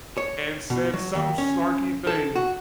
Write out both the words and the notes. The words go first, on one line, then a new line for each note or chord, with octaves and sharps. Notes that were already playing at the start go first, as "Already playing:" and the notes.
And said some snarky thing,
C#5
B2
F#3
D#2
C#4
A4
F#4